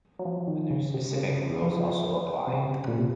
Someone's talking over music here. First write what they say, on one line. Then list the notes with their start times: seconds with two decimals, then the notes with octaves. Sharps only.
Other specific rules also apply.
0.19 F#3
0.25 F3
0.48 D#3
0.71 C#3
0.94 C3
1.16 C#3
1.62 F3
2.47 C3
2.53 C#3
2.88 A#2
2.99 C3